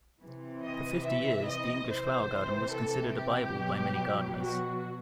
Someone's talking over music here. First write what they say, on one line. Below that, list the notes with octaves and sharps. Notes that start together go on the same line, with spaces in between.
For fifty years, The English Flower Garden was considered a bible by many gardeners.
C3 E3
D#5
E5
D#5
C3 E3 C5
A4
G4
B2 F#3
F#4